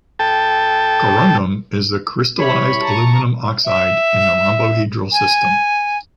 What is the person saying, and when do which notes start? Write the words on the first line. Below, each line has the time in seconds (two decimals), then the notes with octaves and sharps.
Corundum is the crystallized aluminum oxide in the rhombohedral system.
0.19 A4 G5 A5
2.39 G3 E4 C#5 B5
2.82 A5 A#5 C#6
3.65 E5
5.12 G#5